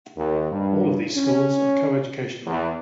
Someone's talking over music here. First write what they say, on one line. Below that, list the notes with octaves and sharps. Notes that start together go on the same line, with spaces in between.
All of these schools are coeducational.
D#2
G2
C#4
E2